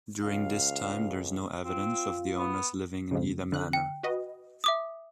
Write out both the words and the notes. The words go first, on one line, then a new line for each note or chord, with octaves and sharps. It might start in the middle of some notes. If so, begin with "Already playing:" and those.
During this time there is no evidence of the owners living in either manor.
C#2 F5
C4 F4
B3
F2 G#2 C#3
D3 F#6
G5
F#4 B4 D#5
E5 D6 D#6